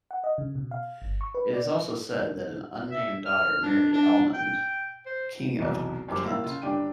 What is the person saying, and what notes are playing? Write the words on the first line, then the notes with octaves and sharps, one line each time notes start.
It is also said that an unnamed daughter married Ealhmund, King of Kent.
F#5
D#5
C#3
B2
F5
G1
C#6
B4
D5
E5
F6
D4
D4
G5
C5
F1 B1 E2
G1 F#2 G4 C5 D6
A2 A#3 E4 F5 E6
C#3 F4
G1 D4 G4 G5 D#7